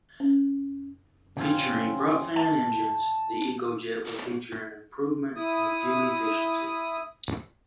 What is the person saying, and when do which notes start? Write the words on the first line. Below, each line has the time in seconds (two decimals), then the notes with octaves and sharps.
Featuring propfan engines, the EcoJet would feature an improvement in fuel efficiency.
0.20 C#4
1.37 C#3 E3 F#3 C4 C#4 F4
2.36 A5
5.36 E4 D#6